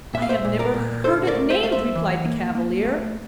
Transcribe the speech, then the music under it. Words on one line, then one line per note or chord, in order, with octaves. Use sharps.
"I have never heard it named," replied the Cavalier.
A#2 E5
F5
C5 E5
A#2
A#4 D5
A#2
D3 A4 C5
A#4 D5
A3
C5 E5
A3 F5
C5 E5
E3
A#3
A#3
A3